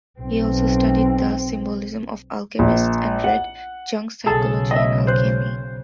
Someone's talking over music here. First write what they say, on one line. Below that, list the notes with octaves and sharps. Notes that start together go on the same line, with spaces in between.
He also studied the symbolism of the alchemists and read Jung's "Psychology and Alchemy".
B1 C4
A#1
F#5
B1 C#3 G#4 A4 A5
D#5 E5
C5 F#6